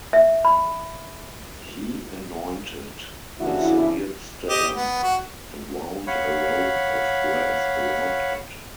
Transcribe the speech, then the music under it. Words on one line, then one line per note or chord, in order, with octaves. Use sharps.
He anointed the severed stem and wound a rope of grass around it.
E5
B5
C#3 E3 D4 E4 F#4
G4 D#5
B3
F#4
C#5 F5 F#5 B5